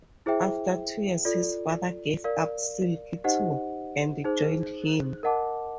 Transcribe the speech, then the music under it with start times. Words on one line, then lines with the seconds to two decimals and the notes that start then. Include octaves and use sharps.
After two years, his father gave up silk, too, and joined him.
0.26 E4 G#4 C5 E5 G5
1.25 F4 A4 D5
2.24 A#4 D5 F5
3.24 D#4 G4 C5 D#5 F#5
4.24 D#4 G#4 C5
5.23 A#4 D#5 F#5 A5 D6